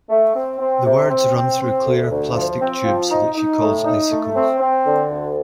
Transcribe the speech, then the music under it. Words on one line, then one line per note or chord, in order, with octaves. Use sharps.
The words run through clear plastic tubes that she calls icicles.
A3
C4
C4
C3
C4
C4
C4
D2
D2
F3
C4
F3
D#4
D#4
A2
D#4
A3
C4
C4
D3
D2